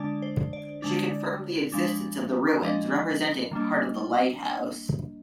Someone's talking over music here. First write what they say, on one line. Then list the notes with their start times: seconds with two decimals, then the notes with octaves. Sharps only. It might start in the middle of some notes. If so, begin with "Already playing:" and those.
She confirmed the existence of the ruins representing part of the lighthouse.
Already playing: D3 G#3 D4 D5
0.22 C5
0.53 D5
0.82 D3 G#3 D4
1.72 F3 G#3 D4
2.62 F3 G#3 D4 D#5
3.51 D#3 G3 A#3 D4